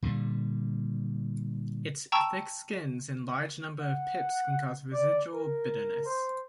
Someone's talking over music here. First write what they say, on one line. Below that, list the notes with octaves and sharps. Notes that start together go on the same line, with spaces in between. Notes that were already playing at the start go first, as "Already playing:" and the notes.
Its thick skins and large number of pips can cause residual bitterness.
A#2 D3 G3
G5 A5 A#5 C#6 E6
F#5
D5
A#4
C5